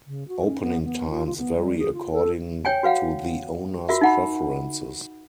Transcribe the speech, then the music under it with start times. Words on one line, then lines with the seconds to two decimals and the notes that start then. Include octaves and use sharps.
Opening times vary according to the owners' preferences.
0.07 C#3
0.28 F#4
0.46 C#4
0.61 B3
0.84 B3
1.10 F4
1.26 F4
1.38 B3
1.57 G3
1.78 G#4
1.93 F4
2.12 A4
2.65 C#5 G5 G#5
2.83 F#4 B4 F5 F#5
3.89 F4 F#4 A#4 E5
4.01 D#4 F#5 B5